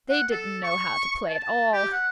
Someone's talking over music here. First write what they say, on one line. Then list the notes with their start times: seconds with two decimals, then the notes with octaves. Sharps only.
They didn't know how to play at all.
0.10 F#5
0.32 A4
0.64 C#6
1.29 A5
1.73 G4
1.92 F#5